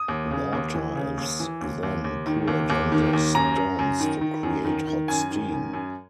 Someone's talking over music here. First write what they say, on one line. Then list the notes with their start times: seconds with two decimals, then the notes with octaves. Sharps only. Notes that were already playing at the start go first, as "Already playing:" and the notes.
Water is then poured on the stones to create hot steam.
Already playing: D#6
0.08 D#2
0.31 C#3
0.53 D#2
0.74 E3
0.96 C#3
1.18 D#2
1.40 E3
1.61 D#2
1.83 D#2
2.04 D#2
2.27 D#3
2.48 D#2
2.70 D#2
2.92 D#3
3.13 D#2
3.35 F#2 A#5
3.56 F#2
3.79 F#2
4.00 D#3
4.21 D#3
4.43 F#2
4.65 D#3
4.87 D#3
5.08 F#2 G#5
5.31 D#3
5.52 F#2
5.74 F#2